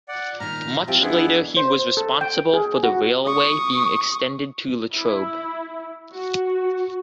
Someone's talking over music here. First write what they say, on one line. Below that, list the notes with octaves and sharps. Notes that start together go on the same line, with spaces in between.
Much later he was responsible for the railway being extended to Latrobe.
D5 F#5
A#2 D#3 A#5 F6
F3 C4 E4 F4 G4
F2 B3 D4 E4 G#4
C5
A4
G5
G#4
F#4
C#6 D#6
E4
F#4